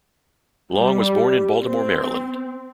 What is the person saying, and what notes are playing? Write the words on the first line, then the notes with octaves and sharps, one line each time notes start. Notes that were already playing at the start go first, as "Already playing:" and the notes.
Long was born in Baltimore, Maryland.
G3
C4